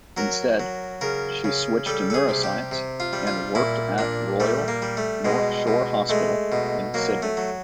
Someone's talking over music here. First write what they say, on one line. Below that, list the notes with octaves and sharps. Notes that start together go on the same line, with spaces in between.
Instead, she switched to neuroscience and worked at Royal North Shore Hospital in Sydney.
F#3 A#4
F#3
C#3 A#4
C#3
G3 A4
A4
G#4
C3
G4
C3
F4
G3
F4
A#2 E4
A#2 D4
G3 A3
A#3
G3
A3
B2 G#3
B2
G#3 A3
B2
F#3 A#3
A3
F#3